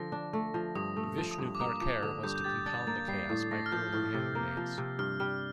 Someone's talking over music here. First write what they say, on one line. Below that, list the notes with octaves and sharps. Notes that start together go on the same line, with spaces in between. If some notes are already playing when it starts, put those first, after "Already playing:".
Vishnu Karkare was to compound the chaos by hurling hand grenades.
Already playing: D3 F3 A#6
D4
A3
F3
G2 D#6
A3
D#6
F3
D#6
G2
D6
A#3 D#6
F3 D6
D3 D#6
G2 G6
G6
G4 A6
D4 A6
A#3 A6
G3 C7
A2
A3 A#6
F6
F3 G6
A2 F6
C3
A#3
F3
C3
G2 F6
G3 F6